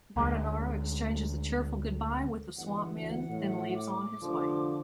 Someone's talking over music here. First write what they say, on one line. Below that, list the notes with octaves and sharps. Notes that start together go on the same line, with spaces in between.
Bardonaro exchanges a cheerful goodbye with the Swampmen, then leaves on his way.
D2 D3 G#3
G1 E3 F#5
D2
A2
D6
F1 D3 F3